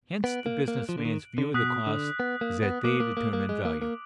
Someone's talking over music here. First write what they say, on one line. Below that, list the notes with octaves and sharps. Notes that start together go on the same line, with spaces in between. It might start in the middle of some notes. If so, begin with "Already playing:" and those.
Hence the business man's view of the costs is that they determine value.
B3 F#6 D7 F#7
A#3
A#3
F3
D3
D#3
D3
B2 D#6 F#6 B6
D3
B3
A#3
B3
A#3 D6 F#6 D7 F#7
A#3
A#3
A#3
G#3
A#3
A#3